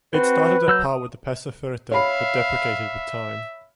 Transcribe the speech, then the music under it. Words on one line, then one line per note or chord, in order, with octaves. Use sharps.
It started at par with the peso fuerte, but depreciated with time.
C4 F#4 B4
F#3 E6 G6
D#6
C#5 E5 F5 B5